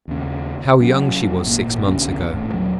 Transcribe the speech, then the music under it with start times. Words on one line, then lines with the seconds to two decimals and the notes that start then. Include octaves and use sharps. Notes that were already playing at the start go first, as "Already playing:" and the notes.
How young she was six months ago!
0.08 D#2 C#3
0.79 F1 F#3 C#4
1.44 G#1 A#2
1.87 C2 D3 B3 C#4
2.30 G#1 A2
2.53 D#1 F#3 C#4